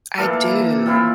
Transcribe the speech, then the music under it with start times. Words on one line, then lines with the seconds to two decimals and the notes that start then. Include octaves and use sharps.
I do.
0.18 A#2 E3 A#3 A4
0.86 A#2 C4 E4 F4